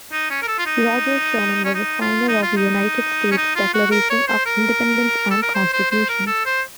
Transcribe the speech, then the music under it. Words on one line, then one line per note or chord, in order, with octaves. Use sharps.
Roger Sherman was a signer of United States Declaration of Independence and Constitution.
D#4
C#4
A#4
A4
F4
D#4
C#4
D#4
F4
D#4
F4
D#4
C#4
D#4
F4
F#4
A#4
C#5
C5
A#4
A4
A#4
C5
C5
C5
A#4
A4
C5